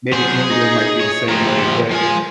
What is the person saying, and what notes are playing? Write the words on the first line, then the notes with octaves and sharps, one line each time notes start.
maybe England might be the same way. But,
F#3 G#4 C5
D#4
C#5
A#2 F3 G4 A#5
F3 G#3 G#5